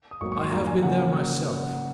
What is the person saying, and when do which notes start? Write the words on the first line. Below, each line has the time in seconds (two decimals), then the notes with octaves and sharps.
I have been there myself.
0.11 D#6
0.21 G#1 G#2 D#3 F#3 A#3 C#6
0.32 C#6
0.41 C6
0.52 F2 D#3 F#3 A#3 A#5
0.67 G#5
0.82 C#3 F#3 A#3 F#5